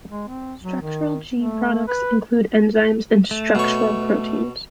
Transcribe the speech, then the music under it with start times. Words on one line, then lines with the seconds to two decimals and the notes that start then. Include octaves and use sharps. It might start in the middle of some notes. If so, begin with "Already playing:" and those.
Structural gene products include enzymes and structural proteins.
0.10 G#3
0.28 C4
0.62 F#3
0.82 D#3
1.35 A3
1.88 B4
3.31 A3
3.55 B2 C#5